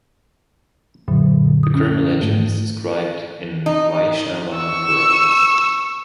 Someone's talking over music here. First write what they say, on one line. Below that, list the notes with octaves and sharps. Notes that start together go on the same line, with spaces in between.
The Kurma legend is described in Vaishnava Puranas.
F#2 A#2 D3 F#3
D#6
C#4
G#2 A3
D#4
C#6 E6